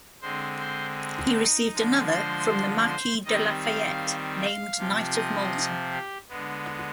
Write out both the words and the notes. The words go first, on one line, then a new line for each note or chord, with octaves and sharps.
He received another from the Marquis de Lafayette named Knight of Malta.
D3 G#3 C4 C5
C5
G#4
D#4
D3 F3 G#3
C5
C5
D#3 G3 C4 D#5
F5
F5
C3 F3 C4
D#5
G4
D3 G#3 B3